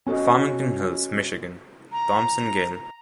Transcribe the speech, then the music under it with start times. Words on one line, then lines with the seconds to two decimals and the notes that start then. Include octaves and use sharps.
Farmington Hills, Mich.: Thomson Gale.
0.07 C#4 F#4 A4 D#5
1.92 A#5